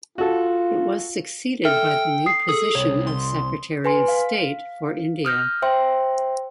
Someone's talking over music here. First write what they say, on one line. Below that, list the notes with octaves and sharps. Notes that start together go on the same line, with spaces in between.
It was succeeded by the new position of Secretary of State for India.
F4 F#4 A4
A4 E5 G5 F6
D#6 C7
G#4 A4 D#6
C2 C#5
C6
B4 G#5 C6
F5
D#6 F6 G6 A#6
C5 E5 G5 C6